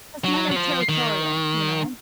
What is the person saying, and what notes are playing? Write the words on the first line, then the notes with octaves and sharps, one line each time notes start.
'Cause men are territorial, you know?
F#3
F#3
F3
D#3